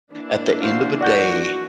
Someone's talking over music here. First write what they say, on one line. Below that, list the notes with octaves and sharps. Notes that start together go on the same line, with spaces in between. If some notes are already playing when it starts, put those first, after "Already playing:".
at the end of a day
E3 A#3 D4
F#4 C5 F5
F#4 D5 F#5 G6